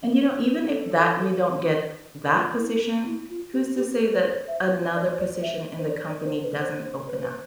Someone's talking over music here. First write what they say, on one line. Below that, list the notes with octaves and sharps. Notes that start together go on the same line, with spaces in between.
and you know, even if that you don't get that position, who's to say that another position in the company doesn't open up?
C5
B4
A4
F4
E4
E4
F4
G4
G4
A4
B4
C5
E5
C5
D5
C5
D5
E5
C5
D5
D5
C5
B4
C5
C5
B4
C5
B4